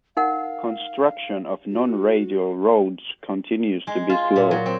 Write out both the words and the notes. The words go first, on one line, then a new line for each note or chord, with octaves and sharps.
Construction of non-radial roads continues to be slow.
D#4 A#4 F5 F#5
F#4
G#3
F4
A#2
F#3
C4